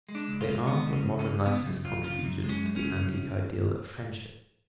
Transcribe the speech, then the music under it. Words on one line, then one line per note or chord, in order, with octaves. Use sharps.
They are what modern life has contributed to the antique ideal of friendship.
G#3
D4
C#2
F4
G#3
G#3 B3
C#3
C#4
C#2
C#4
C#2
C#3 B3
F#2
F#2 F4
C#3 F4
F#2
G#3
C#4
F#2
C#4
C#3
F#2